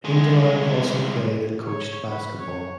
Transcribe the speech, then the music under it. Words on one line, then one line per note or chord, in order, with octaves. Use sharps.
Hindelang also played and coached basketball.
C2 G#3
C#5
B4
C#5